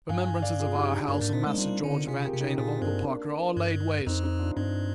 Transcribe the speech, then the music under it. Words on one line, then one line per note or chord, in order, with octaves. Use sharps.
Remembrances of Our House, of Master George, of Aunt Jane, of Uncle Parker, all laid waste!
G2 F5 G#5
F5 G#5
D5 F5
F4 G#4
D#4 G4
D4 F4
G2 A#3 D4
G#2
D4
A#2 C4 D#4
G#3
G3 D4 F4
D3
C3 F4 G#4
G4 A#4
C3
D#4 G4
A#2 F4 G#4
C4
G2 A#3 D4
G2
F2 C4 D#4
C4 D#4
D4 F4
G2 C4 D#4